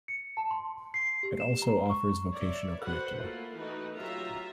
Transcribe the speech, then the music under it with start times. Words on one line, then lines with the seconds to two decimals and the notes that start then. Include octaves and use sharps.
It also offers vocational curricula.
0.08 C#7
0.37 A5
0.51 C6
0.94 C7
1.23 G4
1.40 E7
1.62 A#5
1.90 C#6
2.33 C#5 D5 E5
2.81 F#4 A4 B4 C5 F#5
3.18 A3 A#3 E4 F4
3.55 E3 A3 D#4 F#4 B4
3.98 F#3 F4 G4 E5 A#5